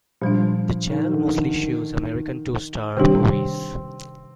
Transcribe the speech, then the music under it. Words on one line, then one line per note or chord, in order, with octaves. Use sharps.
The channel mostly shows American two-star movies.
A#2 F3 G3 D4
D#3
D3
D#3
C3 D#3 G3 C4 D4 G4